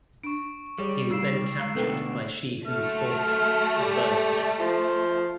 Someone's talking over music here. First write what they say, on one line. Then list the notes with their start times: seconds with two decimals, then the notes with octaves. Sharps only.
He was then captured by Shi Hu's forces and burned to death.
0.23 D4 C#6 D7
0.78 G3 G#4 C#5
1.11 A3 D#4 E6 C7 E7
1.58 G#3 F5 A#5
1.75 B2 D3 A3 A4 B4 G5
2.67 F#3 A3 F6
3.78 G3
4.60 F3 C5